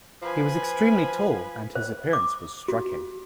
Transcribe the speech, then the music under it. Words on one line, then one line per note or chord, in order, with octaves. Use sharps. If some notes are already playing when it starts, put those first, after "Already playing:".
He was extremely tall and his appearance was striking.
F3 B4 G#5
C5
D6
F#4